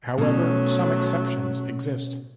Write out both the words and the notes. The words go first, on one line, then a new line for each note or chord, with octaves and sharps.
However some exceptions exist.
B2 F#3 A3 C#4